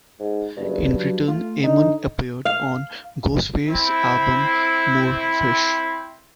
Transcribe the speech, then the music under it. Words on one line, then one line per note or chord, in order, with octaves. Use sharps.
In return Eamon appeared on Ghostface's album "More Fish".
G#2
F#1 G2
F#3
A3 F4
D3 D#4
F5
C4 E4